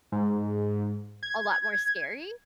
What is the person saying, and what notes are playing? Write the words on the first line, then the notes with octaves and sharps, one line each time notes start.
a lot more scary.
G#2
G#6